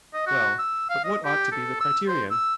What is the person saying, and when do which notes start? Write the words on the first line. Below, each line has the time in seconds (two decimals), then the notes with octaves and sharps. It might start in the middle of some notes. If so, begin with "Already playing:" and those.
Well, but what ought to be the criterion?
0.14 D#5
0.27 F#4
0.59 E6
0.90 F5
1.04 D#5
1.25 G4
1.52 A4
1.80 E6
2.08 C5
2.31 E6